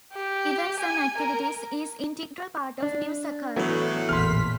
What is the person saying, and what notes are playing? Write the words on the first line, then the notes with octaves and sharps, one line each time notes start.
Events and activities is integral part of new Sakal.
G4
G#5
A#4
D4
A2 E3 F#3 A3 B3 F#4
A1 E2 A#2 C6 F6 B6